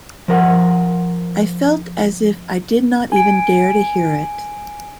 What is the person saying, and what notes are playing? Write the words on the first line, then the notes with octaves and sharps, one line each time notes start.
I felt as if I did not even dare to hear it.
F3 A#4 F#5
G#5 D7